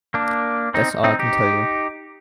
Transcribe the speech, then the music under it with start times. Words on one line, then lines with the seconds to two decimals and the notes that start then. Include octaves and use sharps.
That's all I can tell you.
0.14 A#3 D4
0.74 C4 D#4
1.04 C4 D#4
1.19 D#4 G4